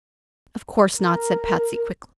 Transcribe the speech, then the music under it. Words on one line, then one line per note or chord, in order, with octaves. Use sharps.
"Of course not," said Patsy, quickly.
A#4